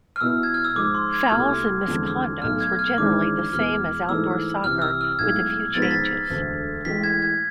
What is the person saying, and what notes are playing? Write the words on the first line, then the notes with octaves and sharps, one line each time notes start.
Fouls and misconducts were generally the same as outdoor soccer with a few changes.
F6
B2 B3 E4 E6
G#6
F6
E6
G#2 F3 G#3 D6
C6
G#6
C2 B2 A3 F6
E2 D3 F3 G#3 C4
B1 B2 A3 F6
G#6
F6
G#1 G#2 E3 G#3 D4 D6
E2 B2 G#3 B3 F6
G#2 E3 A3 E6
C2 C3 E3 F6
E6
F6
B1 A2 G#3 G#6
G#2 F3 B3 A6
B6
A6
E1 D2 D3 A3
A1 A2 G#3 B6
G#6
G#6